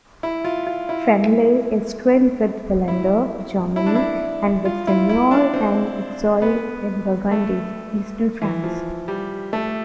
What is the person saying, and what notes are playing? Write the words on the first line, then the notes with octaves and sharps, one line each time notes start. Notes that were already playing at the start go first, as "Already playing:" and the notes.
Cranleigh is twinned with Vallendar, Germany, and with Semur-en-Auxois in Burgundy, eastern France.
E4
F4
F4
E4
E4
E4
D4
E4
F4
E4
E4
D4
C4
B3
A3
E3
F3
G3
A3